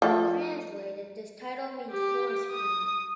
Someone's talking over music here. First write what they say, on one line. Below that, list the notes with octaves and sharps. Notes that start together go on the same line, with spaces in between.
Translated, this title means Forest Queen.
F3 A3
G4
D#6